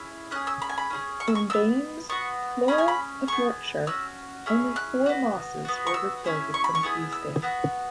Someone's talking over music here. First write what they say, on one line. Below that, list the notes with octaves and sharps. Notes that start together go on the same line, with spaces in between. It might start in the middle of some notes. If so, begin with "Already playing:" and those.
In Baines's "Flora of Yorkshire" only four mosses were recorded from Teesdale.
Already playing: C#4 E4 G#4
C#4 G#4 F#6
E6
B5
G#5
B5
C#4 E4 G#4
C#6
E6
C#6
B3 F#4 E6
B3 F#4 C#6
C#4 E4 G#4 B5
G#5
B5
B3 G#4 C#6
C#4 F#4 E6
C#4 E4 G#4 E6
F#6
B3 F#4
B3 F#4
C#6
E6
C#4 E4 G#4
C#6
B5
C#6
B3 E4 G#4
E6
B3 F#4